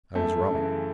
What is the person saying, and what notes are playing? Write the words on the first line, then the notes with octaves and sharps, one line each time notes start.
I was wrong.
F#2 A3
C#3 E3